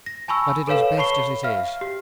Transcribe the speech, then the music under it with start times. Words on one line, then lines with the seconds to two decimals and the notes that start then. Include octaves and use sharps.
But it is best as it is.
0.06 A#6
0.28 G#5 A5 B5 C#6 E6
0.67 A4 B4 C#5 F5 E7
0.97 C#5 A5 B5 C#6 C7 G7
1.43 E5 F5 F6
1.81 G4